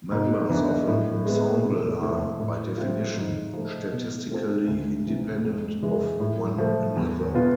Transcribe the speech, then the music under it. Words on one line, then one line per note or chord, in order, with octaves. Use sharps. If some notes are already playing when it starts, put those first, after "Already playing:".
Members of an ensemble are, by definition, statistically independent of one another.
G#2
E3 B3 D4
A2
G#3 B3
C3
F3 A3 E4
A2
F3 A3 C4 F4
G#2
F3 A3
B2
A3 C4 F4 A4
D2
C3 E3
F2
E3 G#3
A2
F3 A3
E2
B2 B3 F4 B4